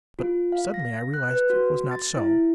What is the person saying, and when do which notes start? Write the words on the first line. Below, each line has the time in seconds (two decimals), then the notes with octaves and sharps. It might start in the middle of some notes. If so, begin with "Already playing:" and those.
But suddenly I realized it was not so.
0.19 F4
0.52 F5
0.74 A#6
1.14 F#6
1.31 B4
1.50 F#4
1.91 A6
2.17 E4